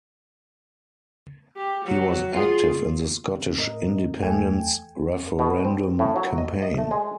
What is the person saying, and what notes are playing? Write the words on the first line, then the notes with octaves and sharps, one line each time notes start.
He was active in the Scottish independence referendum campaign.
G4
F#3
F4 G#4
A2 A#4 D#5
E2 A3 G5 G#5
B2
C4
A2
F#3
D#5
D#5
A3
G#3